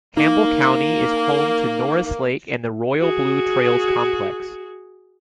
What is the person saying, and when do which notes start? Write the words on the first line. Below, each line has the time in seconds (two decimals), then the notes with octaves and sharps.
Campbell County is home to Norris Lake and the Royal Blue Trails Complex.
0.17 A#3 D#4
3.00 F#4 G#4